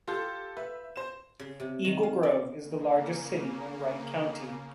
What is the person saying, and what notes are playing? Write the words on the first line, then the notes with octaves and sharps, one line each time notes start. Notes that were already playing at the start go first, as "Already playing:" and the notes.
Eagle Grove is the largest city in Wright County.
F4 G4 A4 G6
B4 E5
C5 E7
C#3
C3
D#3
F5
D5
C#3 A#3